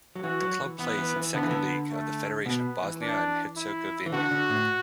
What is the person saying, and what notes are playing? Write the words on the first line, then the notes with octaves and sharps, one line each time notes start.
The club plays in Second League of the Federation of Bosnia and Herzegovina.
F#3
E3 F#4
F#3
E3
E3 B3
E3
E3
D3 B3
E3
D3
A3
B2 B3
E3
D4
E4
E3
D3 F#4
D3
A2